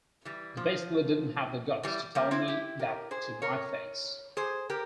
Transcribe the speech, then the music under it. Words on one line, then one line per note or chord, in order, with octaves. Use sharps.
They basically didn't have the guts to tell me that to my face...
E3 G3
F3
E3 G3
G3 A#3
C4 E4
E4 G4
G4 A#4
G#4 C5
A#4 C#5
G#4 C5
G4 A#4